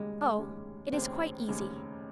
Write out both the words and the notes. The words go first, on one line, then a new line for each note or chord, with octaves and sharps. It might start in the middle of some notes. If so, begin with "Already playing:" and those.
'Oh, it is quite easy.
Already playing: F1 D#2 C#3 G3 G#3 C#4
F1 D#2 C#3 G3 C#4
F1 D#2 C#3 G3 C4 C#4
F1 D#2 C#3 G3 C#4